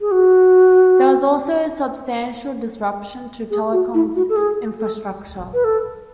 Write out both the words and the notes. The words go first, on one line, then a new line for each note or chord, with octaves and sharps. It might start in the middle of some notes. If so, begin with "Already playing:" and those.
There was also substantial disruption to telecoms infrastructure.
G#4
F#4
G#4
F#4
E4
F#4
A4
G#4
A4
B4
A4